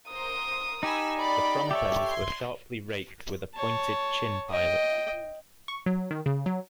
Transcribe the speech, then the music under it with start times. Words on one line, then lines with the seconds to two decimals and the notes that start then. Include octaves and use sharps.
The front ends were sharply raked, with a pointed "chin" pilot.
0.12 A#4 C5 D#6
0.83 D#4 G4 G#5 B5 E6
1.20 D5 G5 B5
1.71 G4 A4 C#5 E5
2.03 C6 G#6
3.55 C#5 A5
4.50 D#5 G5
5.68 C#6
5.86 F#3
6.11 D#3
6.26 C#3
6.46 F#3